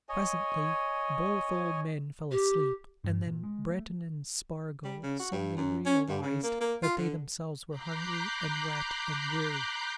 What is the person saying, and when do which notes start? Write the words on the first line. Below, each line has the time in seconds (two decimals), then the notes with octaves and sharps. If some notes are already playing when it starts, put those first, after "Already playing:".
Presently both old men fell asleep, and then Breton and Spargo suddenly realized that they themselves were hungry and wet and weary.
0.09 C#5 D#5 G#5
2.32 G4
3.04 G2
3.26 A#2
3.43 G#3
3.70 A3
4.84 G3
5.03 C#3
5.19 F#4
5.32 G2
5.57 F#2
5.86 C#4
6.08 G2
6.22 C#3
6.43 A#3
6.60 A#3
6.82 F4
6.97 D3
7.69 A#5 B5 D6 F#6 G6 C7